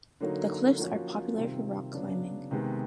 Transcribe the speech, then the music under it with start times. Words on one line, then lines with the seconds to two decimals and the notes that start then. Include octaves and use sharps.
The cliffs are popular for rock climbing.
0.20 D3 F#3 A#3 D#4 F#4
0.78 F3 A#3 C#4 F#4
1.36 C3 D#3 G3 C4 F4
1.93 C#3 F#3 B3 D4
2.51 C3 D#3 G#3 B3